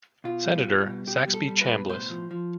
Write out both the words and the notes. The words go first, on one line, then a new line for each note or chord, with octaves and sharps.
Senator Saxby Chambliss.
B2 F4
G3
G3
B2
B2 G4
G3
A4
G3
B4
B2
A2 C5
F3
F3